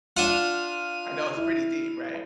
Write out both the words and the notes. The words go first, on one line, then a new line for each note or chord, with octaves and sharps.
I know it's pretty deep, right?
D4 F4 F#5 F6 D#7
E4